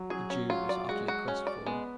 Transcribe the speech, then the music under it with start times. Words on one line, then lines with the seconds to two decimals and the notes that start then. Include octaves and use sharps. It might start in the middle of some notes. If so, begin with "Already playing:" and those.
The Jew was utterly crestfallen.
Already playing: F#3
0.10 F#3 G#4
0.30 C#4
0.50 F#3 F4
0.69 D5
0.89 G#3 F#4
1.08 F#4
1.28 C#4
1.47 D5
1.66 G#3 B3